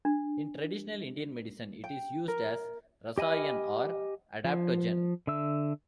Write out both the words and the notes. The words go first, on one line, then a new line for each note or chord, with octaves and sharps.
In traditional Indian medicine it is used as 'Rasayan' or adaptogen.
D4
G5
A#4
G4 D#5 G#5 B5 F6
F3
D3 E5 E6